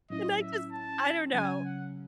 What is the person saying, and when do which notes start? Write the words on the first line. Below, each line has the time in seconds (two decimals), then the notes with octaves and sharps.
and I just, I don't know.
0.10 A2 F#3 C#4 E4 D#5
0.41 E5
0.72 A5
1.33 C#3 F#3 C#4 G#5
1.65 F#5